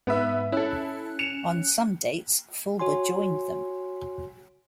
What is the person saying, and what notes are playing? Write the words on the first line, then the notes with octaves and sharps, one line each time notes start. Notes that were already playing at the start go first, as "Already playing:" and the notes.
On some dates, Fulber joined them.
G#2 B3 B4 E5
C#4 E4 A4 F#6
C#7 E7 F7
F#4 C#5 G#5 C6